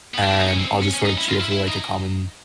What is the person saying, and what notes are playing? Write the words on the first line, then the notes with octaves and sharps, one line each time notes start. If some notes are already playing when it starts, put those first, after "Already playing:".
and I'll just sort of cheer for like a common
B3
D4
E4
D#4
C#4
C4
C#4
C#4
D#4
E4
F4
E4
E4
D#4